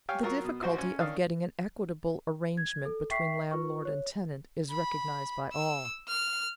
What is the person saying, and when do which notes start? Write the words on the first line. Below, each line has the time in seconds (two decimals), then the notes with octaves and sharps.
The difficulty of getting an equitable arrangement between landlord and tenant is recognized by all.
0.09 G4 C#5 F5 G5 G#5
0.23 F#3 F4 A#4 C#6
0.44 B2
0.62 A1 F#4 C5 C#6
0.78 C#4
1.00 D#3 C#4 D4 F5 D#6
2.57 G#6
2.85 A4
3.10 E5 G5 C#6 B6 C7
3.51 F4 B4 C#6
3.85 C#5
4.71 B5
5.53 E6
6.08 F6